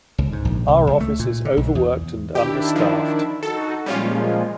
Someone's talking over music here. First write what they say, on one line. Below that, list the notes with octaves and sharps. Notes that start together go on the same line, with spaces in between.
Our office is overworked and understaffed.
C#2
G#2
A#1
C2
C#2
A3
A#2
D3
B1
E2
D#3 D4 E4 G4
F3
D#4 F#4 A4
A#2 F3 G3 G#3 C#4 F4